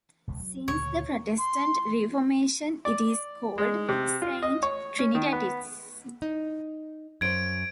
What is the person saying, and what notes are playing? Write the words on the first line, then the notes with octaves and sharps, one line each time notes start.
Since the Protestant Reformation it is called Saint Trinitatis.
E1 C#2 C3
F#3
D2 A#2 C#3 C#5
C6
D5
G#3
C3
F4
D#5
C#5
C#4
D#3
B3
D#4
F#2 C5 C#5 G#6 D7